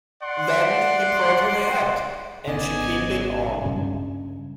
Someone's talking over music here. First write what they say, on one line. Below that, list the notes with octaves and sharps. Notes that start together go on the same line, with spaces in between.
Then he brought her hat, and she pinned it on.
D5 F#5 C6
G#1 C#3 B3 D5 D#5 G#5
G2 C#3